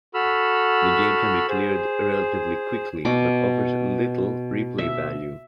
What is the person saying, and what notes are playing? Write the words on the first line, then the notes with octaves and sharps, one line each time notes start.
The game can be cleared relatively quickly, but offers little replay value.
F#4 A4 B5 E6 F6
G#4 C5
B2 D6
E5